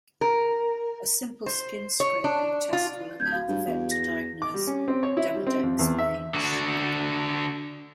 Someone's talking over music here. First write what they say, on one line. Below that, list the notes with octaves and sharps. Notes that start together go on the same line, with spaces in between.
A simple skin scraping test will allow the vet to diagnose demodex mange.
A#4
C5
C#5
D4
F4
D1 G6 G#6
F#4 F5
G2
E2
A#6
D6
G3
C#4
C4
C#5
E4
G3
C4
F2
E2
E5
D3 F#4